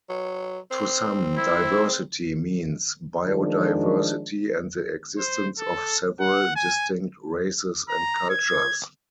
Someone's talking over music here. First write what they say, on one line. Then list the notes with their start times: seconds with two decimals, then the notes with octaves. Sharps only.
To some, diversity means bio-diversity and the existence of several distinct races and cultures.
0.09 F#3
0.71 C4
1.37 E4
3.25 D#3 F3 G#3 D4
5.18 C5
5.59 A4
6.20 F#5
6.56 G#5
7.89 A#5
8.30 G#6